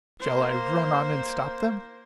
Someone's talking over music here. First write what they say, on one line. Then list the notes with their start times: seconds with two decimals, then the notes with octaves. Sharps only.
"Shall I run on and stop them?"
0.20 A#3 C5